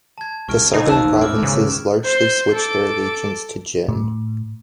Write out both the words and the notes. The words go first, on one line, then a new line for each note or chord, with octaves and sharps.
The southern provinces largely switched their allegiance to Jin.
A5 G#6
C2 C#6 F6 D7
C#3 G3 D#4 G#4
A1 D#2 F3 G#3 B4 E6 F#6 E7
D#1 G#2 D#3 E4 D6 F6 D7
C#3 B4
C5
A4 D6
A2